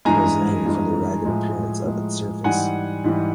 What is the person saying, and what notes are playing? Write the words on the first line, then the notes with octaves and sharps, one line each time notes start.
It was named for the ragged appearance of its surface.
G2 E3 G#3 G#5 A#5
G2 E3 G#3
A2 F3 G#3
A2 F3 G#3
G#2 E3 G3 F#5 G#5
G#2 E3 G3